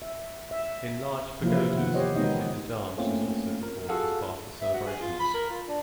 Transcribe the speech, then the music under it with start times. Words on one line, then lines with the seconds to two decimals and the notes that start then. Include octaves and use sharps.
In large pagodas music and dance is also performed as part of the celebrations.
0.02 E5
0.51 E5
1.41 C3 E3 F3 A#3 E4 F4
1.75 C3 D#3 B3 F#5
1.94 G4 C5 C#5 D#5
2.16 D#3 G#3 B3 C4 D#4 D#5
2.97 A3 A#3 C4 C#4 F4
3.63 A#4
3.89 F4 F#4 G#4 A4 F5 F#5
4.61 E5
4.73 F#4
4.87 G#4
5.01 F4
5.20 B5
5.34 A#4
5.50 F4
5.68 D4